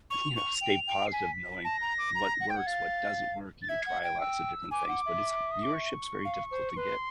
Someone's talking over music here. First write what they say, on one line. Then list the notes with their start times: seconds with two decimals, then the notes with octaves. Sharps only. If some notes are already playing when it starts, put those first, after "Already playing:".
you know, stay positive knowing what works, what doesn't work. You try a lots of different things, but it's viewership's very difficult to get.
0.10 C#6 F7
0.36 C#6
0.61 G5
0.88 G5
1.07 C7
1.13 G#5 B6
1.64 A5 A#6
1.81 A#5
1.98 D6
2.15 A#5
2.41 F#5
2.49 G5 G6
2.56 F#5
2.59 G#6
2.67 F5 A6
3.62 A6
3.69 E5 G#6
3.86 F#5
4.04 G5
4.20 E6
4.71 G#5 D6
4.88 F#5
5.06 E5
5.51 D#6
5.63 D6
5.74 C#6
6.25 F5
6.51 C5
6.76 B4 C6